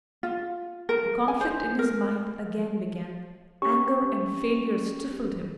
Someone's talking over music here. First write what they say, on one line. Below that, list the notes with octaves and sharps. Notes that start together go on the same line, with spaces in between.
The conflict in his mind again began; anger and failure stifled him.
F4
A#4
G#5
C5
A#4
C#4 G4 C#6